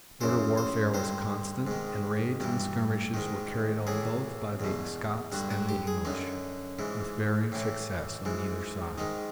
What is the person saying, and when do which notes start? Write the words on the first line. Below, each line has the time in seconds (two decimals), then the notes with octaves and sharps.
Border warfare was constant and raids and skirmishes were carried on both by the Scots and the English, with varying success on either side.
0.21 F#2 C#3 E3 C5
0.57 C5
0.94 G2 D3 C5
1.67 G#2 D#3
2.40 G2 E3
3.14 G#2 D#3
3.87 A2 E3 G#4
4.60 E2 B2
5.32 G2 D3 F#4
5.51 F#4
5.69 G4
5.87 G#4
6.05 F#2 D3 D#4
6.79 G#2 E3
7.52 A2 E3
8.25 G#2 E3
8.98 G#2 D#3 D#4